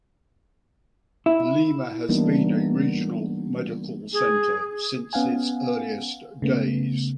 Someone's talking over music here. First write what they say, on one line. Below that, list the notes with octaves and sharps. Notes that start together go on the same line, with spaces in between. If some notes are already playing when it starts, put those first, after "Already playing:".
Lima has been a regional medical center since its earliest days.
E4
E3 G3 A#3 B3 D4 D#4
G#4
B3 C#4 F5 F#5 G#5
C#3 A3 B3